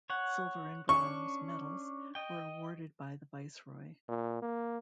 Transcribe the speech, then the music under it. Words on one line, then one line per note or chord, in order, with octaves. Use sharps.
Silver and Bronze medals were awarded by the Viceroy.
C#5 F#5
C#4 D4 C#6
D#5 G5
A#2
A#3